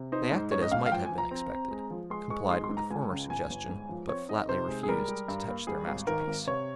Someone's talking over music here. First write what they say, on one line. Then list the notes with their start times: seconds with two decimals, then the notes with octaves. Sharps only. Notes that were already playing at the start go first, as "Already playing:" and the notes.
They acted as might have been expected: complied with the former suggestion, but flatly refused to touch their masterpiece.
Already playing: C3
0.12 D#4 C5
0.32 G#2
0.52 C#4 C#5
0.62 D#5
0.72 G#2 F5
0.86 F5
0.91 F3 G5
1.05 G#5
1.12 F3
1.18 A#5
1.31 C4
1.52 C4
1.71 G#3
1.91 F3
2.10 G#3 C6
2.30 G#3 C#6
2.50 D#4 C6
2.64 C6
2.70 G#2
2.77 A#5
2.91 C#2 G#5
3.10 C#3
3.30 G1 G#5
3.50 G1
3.69 G#2
3.89 F3
4.09 C4 C#5
4.29 D#4 D#5
4.48 C3 C5
4.68 G#3
4.83 G#4
4.88 G3 A#4
5.08 G3
5.28 G2
5.48 A#3
5.67 G3 G#4
5.87 G#1
6.07 D#3 A#4
6.27 G#1
6.47 C3 C#5